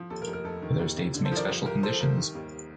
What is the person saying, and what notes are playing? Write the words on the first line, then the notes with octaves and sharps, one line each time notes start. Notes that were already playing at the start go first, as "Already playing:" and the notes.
Other states make special conditions.
Already playing: F3
D#2 A4
A#4
F1
A#4
F1 A4
D#3
D#2
D#2
D3
A4 C5
F3
A#4 D5
C2
C2 A#4
C2 A4 C5
C2 A#4
D#3
D#2